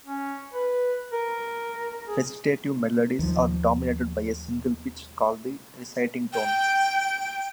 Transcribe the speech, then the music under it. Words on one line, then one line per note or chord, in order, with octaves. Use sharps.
Recitative melodies are dominated by a single pitch, called the "reciting tone".
C#4
B4
A#4
G#4
D#2 F3
G5